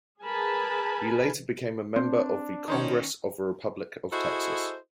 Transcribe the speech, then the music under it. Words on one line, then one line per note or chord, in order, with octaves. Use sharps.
He later became a member of the Congress of the Republic of Texas.
G#4 A#4 B4 G#5 A5 B5
C4 D4 C5
D#3 C#4 D#4 C5 C#5
E4 F#4 G#4 A4 C5 D#5